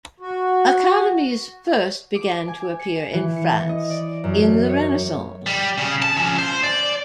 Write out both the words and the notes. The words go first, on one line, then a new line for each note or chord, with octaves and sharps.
Academies first began to appear in France in the Renaissance.
F#4
D6
G#5
C#7
E3
C#7
D#5
D5
F#2
C#5
G3
C#3
A5
F3 C#4
C5
D5